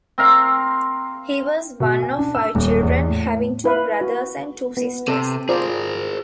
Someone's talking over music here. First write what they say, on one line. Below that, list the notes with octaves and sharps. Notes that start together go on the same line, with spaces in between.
He was one of five children, having two brothers and two sisters.
C4 A#4 F5
B2
G#5
D4
E6
D#1
E2
A2
E4 B4 F5
F#4
B3
C3 A4
F4 G#4 A#4 C5 D5